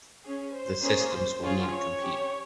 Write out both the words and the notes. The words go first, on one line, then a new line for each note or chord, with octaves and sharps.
The systems will not compete.
C#4 G#4
C5
A#3 C#4 G#4
C#4 F4 G#4
C#5
C#4 G4